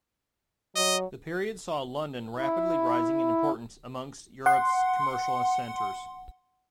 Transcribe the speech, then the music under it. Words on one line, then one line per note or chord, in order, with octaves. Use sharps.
The period saw London rapidly rising in importance amongst Europe's commercial centres.
F#3 D#5
E4
F#5 C6